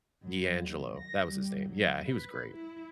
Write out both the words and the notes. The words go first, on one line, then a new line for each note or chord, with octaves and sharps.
D'Angelo, that was his name, yeah, he was great.
F#2
D#2
A#6
G3
F#3
B4
E4